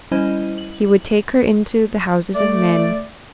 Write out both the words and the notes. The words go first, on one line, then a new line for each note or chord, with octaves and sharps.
He would take her into the houses of men.
G3 C#4 E4 C5 D#5 D#7
F#7
A3 D5